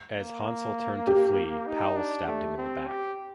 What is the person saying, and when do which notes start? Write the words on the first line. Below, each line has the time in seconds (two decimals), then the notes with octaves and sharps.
As Hansell turned to flee, Powell stabbed him in the back.
0.17 A#3
1.07 G4
1.67 D#4
1.97 D4
2.27 A3
2.58 C4
2.87 G4